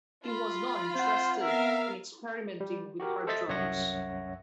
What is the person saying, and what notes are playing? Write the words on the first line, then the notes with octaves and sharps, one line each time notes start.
He was not interested in experimenting with hard drugs.
F4 B5
C4 C5 F#5
B3 A#4 E5 F5
G3
F#4 G4 A#4
A4 C5 D#5 E5 A6 B6
C2 F#2 C#5 E5 F#5 A#6